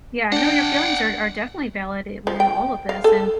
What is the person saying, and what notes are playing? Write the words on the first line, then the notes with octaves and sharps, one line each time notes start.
Yeah, I know your feelings are are definitely validated when all of this and,
D4 F#5 G5
F3
G5
F5
A4